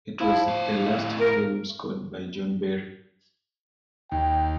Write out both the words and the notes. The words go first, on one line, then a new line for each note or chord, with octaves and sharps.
It was the last film scored by John Barry.
F3 E4
A2 F5
A#4
D#2 G5